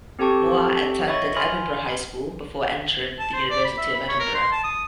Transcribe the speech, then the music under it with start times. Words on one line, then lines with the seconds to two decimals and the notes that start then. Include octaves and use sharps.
Moir attended Edinburgh High School before entering the University of Edinburgh.
0.19 C4 G4 A4 G5 A5 C#6
1.07 C#5 D#5 E5 B5 C#6 A6
1.36 G#5 B5 C6 D#6 F6
3.20 A5
3.33 C5
3.50 D5
3.65 B5
3.78 E5
3.95 B5
4.09 C#5
4.20 A#4
4.35 C6
4.52 A5
4.64 D#6